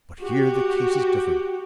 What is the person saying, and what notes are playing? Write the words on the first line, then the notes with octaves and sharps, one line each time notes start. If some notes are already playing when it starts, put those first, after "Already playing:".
But here the case is different.
F#4 G4